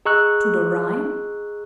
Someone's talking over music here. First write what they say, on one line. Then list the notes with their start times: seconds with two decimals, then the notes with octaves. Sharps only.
To the Rhine?
0.06 G#4 D#5 A#5 C#6 E6 F#6